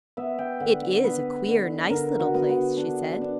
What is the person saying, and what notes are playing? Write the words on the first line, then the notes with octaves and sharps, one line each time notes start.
"It is a queer, nice little place," she said.
B3 E5
G5
D3 F#5
F#5
B3 B4
D3
D3 A#4
F#4
B3
F#4
D4
D4